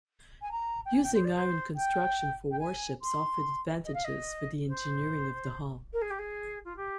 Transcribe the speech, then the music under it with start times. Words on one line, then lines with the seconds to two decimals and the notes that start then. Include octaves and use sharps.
Using iron construction for warships offered advantages for the engineering of the hull.
0.41 G#5
0.51 A#5
0.85 G5
0.93 G#5
1.03 G5
1.14 C5
1.24 D5
1.35 C5
1.76 G5
2.51 G5
2.59 G#5
3.01 C6
3.84 D#5
3.94 F5
4.04 D#5
4.68 C5
5.93 A#4
6.01 G#4
6.10 G4
6.18 G#4
6.64 F4
6.76 G4